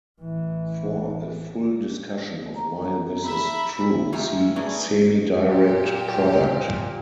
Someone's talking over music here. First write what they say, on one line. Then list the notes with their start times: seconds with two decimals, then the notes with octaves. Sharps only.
For a full discussion of why this is true, see semidirect product.
0.20 A1 E3
2.56 A#5
3.24 E5 B5
4.12 F2 D#3 F4 G4 E5 G#5
4.56 A3 C#4 D#4 G#4 B4 D5
5.48 A#2 G4